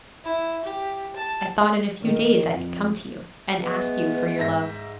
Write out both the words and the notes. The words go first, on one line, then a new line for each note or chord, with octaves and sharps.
I thought in a few days I could come to you, and ask you for your love.
E4
G4
A5
D#3
F2
G#3 A3 B3 B4
G#2 E5 A#6